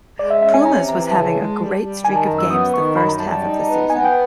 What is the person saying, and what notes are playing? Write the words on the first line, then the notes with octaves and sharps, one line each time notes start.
Pumas was having a great streak of games the first half of the season.
G#3 D5
E5
C#4 E5
G#5
C3 A#5
E3 A#5
C#3 A5
G#3
G3
G3
D#3 G#5
A5
F#2 A#5
E6
B3 D#6
D#3 C#6
F#2 B5
A#5
G3 A5
A5
D#4
B3
B3 G#5
G5